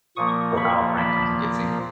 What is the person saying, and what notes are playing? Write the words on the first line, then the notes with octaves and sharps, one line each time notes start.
or our friend comes and gets him,
A#2 F3 A#3 C#6 D#6
B5 C#6
A5 B5